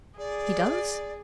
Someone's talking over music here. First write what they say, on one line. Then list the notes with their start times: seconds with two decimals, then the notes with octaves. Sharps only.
"He does?"
0.18 G#4 D5